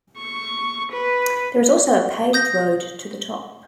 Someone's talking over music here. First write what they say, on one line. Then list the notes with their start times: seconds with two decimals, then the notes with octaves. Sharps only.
There is also a paved road to the top.
0.18 C#6
0.93 B4
2.33 D#6 G6 A#6